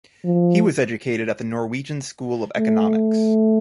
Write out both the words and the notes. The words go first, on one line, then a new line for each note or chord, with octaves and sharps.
He was educated at the Norwegian School of Economics.
F3
A3